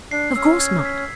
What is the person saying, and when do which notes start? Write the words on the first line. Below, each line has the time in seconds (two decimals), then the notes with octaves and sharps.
Of course not!
0.11 D4 C7
0.36 C#4 E6
0.60 G#6
0.85 B6